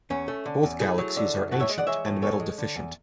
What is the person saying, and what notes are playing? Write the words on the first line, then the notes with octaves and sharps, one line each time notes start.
Both galaxies are ancient and metal-deficient.
E2 C#4
A3
D3
E2
A3 E4 G#4
F#3
D3
F#2
A2 F#4 A4
C#5 E5
G#3
D5 F#5
E3 C#5 E5
A2
E2 A4 C#5
G#3
D3
E2